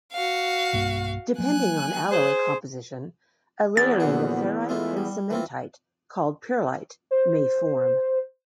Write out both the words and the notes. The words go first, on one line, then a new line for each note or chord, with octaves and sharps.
Depending on alloy composition, a layering of ferrite and cementite, called pearlite, may form.
F#4 F5
B1 G2 A#3
F3 F#3 A#3 G#5 F#6
G#4 C5
E2 A6
A#1 D3 F#4
G#3 A3 F4
G3
E3 C4 F4
C5